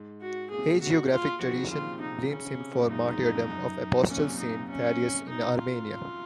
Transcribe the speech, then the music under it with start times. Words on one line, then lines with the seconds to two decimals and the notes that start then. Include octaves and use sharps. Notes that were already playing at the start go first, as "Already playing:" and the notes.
Hagiographic tradition blames him for the martyrdom of the Apostle Saint Thaddeus in Armenia.
Already playing: G#2
0.22 F#4
0.51 A#2 G#4
0.58 C3
0.66 A#2
0.81 F#4
1.11 F4
1.40 F3 F#4
1.47 D#3
1.54 C#3
1.63 C3
1.70 A#2 F4
2.00 C3 D#4
2.30 C#3 C#4
2.45 C#3
2.60 C3
2.75 A#2
2.84 F#2
2.90 G#2 D#4
3.05 G#2
3.20 F2
3.35 F2
3.50 F#2
4.09 A#2 C#4
4.19 C3
4.29 A#2
4.38 D#4
4.69 C#4
5.29 D#4
5.59 F4